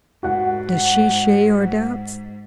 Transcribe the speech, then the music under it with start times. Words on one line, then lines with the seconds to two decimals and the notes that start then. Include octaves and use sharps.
"Does she share your doubts?"
0.23 G#2 F#4 F#5